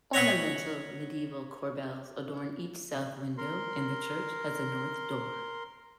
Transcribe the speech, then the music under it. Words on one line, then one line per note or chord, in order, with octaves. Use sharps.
Ornamental medieval corbels adorn each south window and the church has a north door.
C#5 D#5 F#5 G#5 B5 C#6
A#4 C6